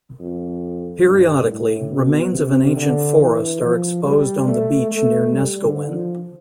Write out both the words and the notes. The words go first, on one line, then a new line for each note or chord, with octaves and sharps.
Periodically, remains of an ancient forest are exposed on the beach near Neskowin.
F2
G2
A2
B2
C3
D3
E3
F3
G3
A3
A3
G3
D3
F3